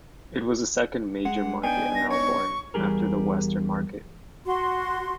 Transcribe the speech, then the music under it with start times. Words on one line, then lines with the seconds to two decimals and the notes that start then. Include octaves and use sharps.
It was the second major market in Melbourne, after the Western Market.
1.25 G#3 F#5
1.63 B3 D4 D#4 G5 G#5
1.95 A#6
2.10 C#5 C#6
2.74 E2 G3 G4 G#4 A#4
4.46 F#4 C6